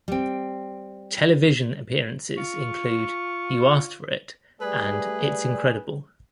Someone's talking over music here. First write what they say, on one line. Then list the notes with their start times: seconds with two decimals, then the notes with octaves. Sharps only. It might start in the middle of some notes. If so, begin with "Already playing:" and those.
Television appearances include "You Asked for It" and "It's Incredible".
0.08 G3 C4
2.38 F4 C#6
4.61 G3 A3 G#4 B4 D5